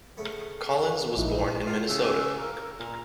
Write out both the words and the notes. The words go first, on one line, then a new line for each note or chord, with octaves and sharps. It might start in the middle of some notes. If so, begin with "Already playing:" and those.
Collins was born in Minnesota.
C#3 A3 B3
A#1 D#4 E4
F4 G5
C#3 E6
A#4
A#2 A#5